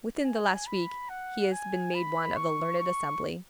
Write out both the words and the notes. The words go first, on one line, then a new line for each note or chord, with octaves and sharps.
"Within the last week he has been made one of the learned assembly."
G#5
B5
F#5
G#5
B5
C#6
C#6